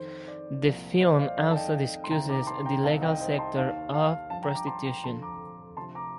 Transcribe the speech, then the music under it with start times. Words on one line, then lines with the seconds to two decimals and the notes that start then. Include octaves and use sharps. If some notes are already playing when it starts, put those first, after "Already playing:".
The film also discusses the legal sector of prostitution.
Already playing: F2 D#3 C5
0.28 D5
0.64 C2 A#2 F3
1.00 C5 D#5
1.19 D5 F5
1.37 F2 D#3 D5 F5
1.51 A5
1.56 D#5 G5
2.04 C6
2.11 C2 C3 D#3 G5 A#5
2.29 A#5 D6
2.47 A5 C6
2.66 G5 A#5
2.83 C2 C3 D#3 F5 A5
3.02 D#5 G5
3.20 C5 D#5
3.39 A5 C6
3.57 D#2 D#3 F5 A5
3.94 F5 A5
4.30 G2 F3 F5 A5
4.43 G5 A#5
4.54 A#5 D6
4.67 A5 C6
4.85 G5 A#5
5.04 F2 D3 F3 A5 C6
5.22 A#5 D6
5.77 D2 C3 F3 A5 C6
5.95 A#5 D6